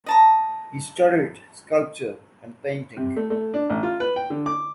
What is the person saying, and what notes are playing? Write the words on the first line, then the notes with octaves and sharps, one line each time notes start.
He studied sculpture and painting.
D#5 A5 A#5
C3
A3
A3
D4
A1
F4
B4
G5
D3
D6